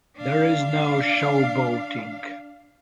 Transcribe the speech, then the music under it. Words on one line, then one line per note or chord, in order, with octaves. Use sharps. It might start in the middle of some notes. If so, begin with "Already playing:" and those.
There is no showboating.
D4 F5